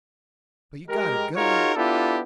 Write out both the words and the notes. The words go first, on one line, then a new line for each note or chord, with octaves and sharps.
But you got a gun.
G#3 G4 A#4
D#4 F4 F#4 G#4 A#4 C#5
B3 D4 E4 F4 G4 A4